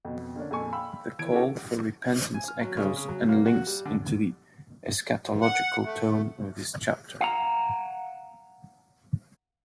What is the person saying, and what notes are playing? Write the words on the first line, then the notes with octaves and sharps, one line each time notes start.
The call for repentance echoes and links into the eschatological tone of this chapter.
F2 B2
D3 A#3 C#4 D4
F2 A#2 A4 G#5 C#6
F5 G5 B5 E6
E3 G#6 D7
C#4 E4 F#4 G4 A4
G#5
F6
F#3
C#3
C#3
F#3
A#3
F#4
G3
D3
G2
F#5
A3
F5 F#5 A#5